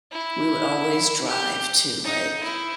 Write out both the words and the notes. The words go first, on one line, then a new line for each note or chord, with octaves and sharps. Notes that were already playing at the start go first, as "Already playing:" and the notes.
we would always drive to, like,
E4
G4
D#4
E4